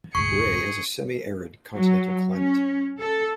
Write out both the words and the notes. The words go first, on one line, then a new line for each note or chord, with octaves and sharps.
Wray has a semi-arid continental climate.
F1 D2 G#2 G#4 C#6 C#7
F#3
C#4
A4